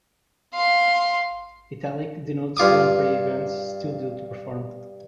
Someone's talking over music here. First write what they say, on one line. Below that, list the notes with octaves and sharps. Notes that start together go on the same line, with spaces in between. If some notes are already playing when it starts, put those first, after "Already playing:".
Italic denotes Grand Prix events still due to perform.
F5 C6
G2 F4 D6 D#6